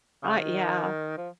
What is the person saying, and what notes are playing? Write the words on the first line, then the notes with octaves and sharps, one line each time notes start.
Uh, yeah.
C#3
D#3
F3